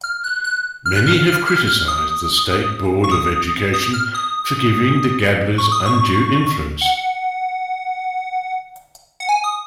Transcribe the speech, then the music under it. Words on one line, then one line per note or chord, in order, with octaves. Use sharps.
Many have criticized the State Board of Education for giving the Gablers undue influence.
F6
F#6
F#6
F6
F#6
F6
F6
F6
F6
D#6
C#6
D#6
D#6
F6
D#6
C#6
D#6
C#6
F#5
F#5
G#5
D#6